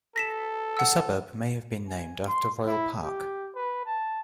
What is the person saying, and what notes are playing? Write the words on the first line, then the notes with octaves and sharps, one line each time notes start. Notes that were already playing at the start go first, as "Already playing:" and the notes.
The suburb may have been named after Royal Park.
A4 A#6 B6 E7
F#5 E6
G#5
C6
E4
G4
B4
A5